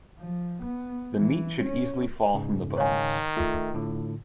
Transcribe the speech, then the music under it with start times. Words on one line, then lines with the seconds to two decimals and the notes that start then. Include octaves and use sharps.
The meat should easily fall from the bones.
0.18 F3
0.63 B3
1.17 E3
1.61 C#4
2.34 G#2 C#3
2.78 D#3 C#5 F5 G#5
3.37 A3 F4 E5
3.74 A2 D3